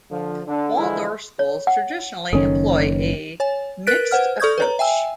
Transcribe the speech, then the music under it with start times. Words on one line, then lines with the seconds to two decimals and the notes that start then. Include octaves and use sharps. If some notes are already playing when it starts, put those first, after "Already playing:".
Waldorf schools traditionally employ a mixed approach.
0.10 D3 F3
0.47 D3
0.77 D3 E3 F3 G#3 E4
1.39 C#5
1.67 F#5
2.33 F#1 D#3 C#4 A4
3.40 C#5 G#5
3.87 A#4 B4 F#6 A6 B6 D7
4.11 B4 C5 F#5 F6
4.40 A4 D5 C#6 D#6 G6 G#6
4.58 B4 C#5 A#5
4.79 E5 G5 G#5 E6